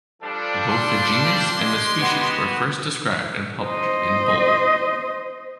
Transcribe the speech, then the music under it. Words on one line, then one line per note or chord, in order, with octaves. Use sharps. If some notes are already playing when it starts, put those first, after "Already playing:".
Both the genus and the species were first described and published in Bull.
F3 G3 D4 A4 D5
C6
G#3 G4
B3 F#4
C5 D#5